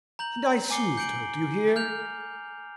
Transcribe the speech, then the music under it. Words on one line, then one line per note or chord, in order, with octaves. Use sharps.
And I soothed her, do you hear?
A#5 G6 F#7
G#5 D6 C7 C#7 G7
G6 C#7 D7 F#7
F6 G6 F7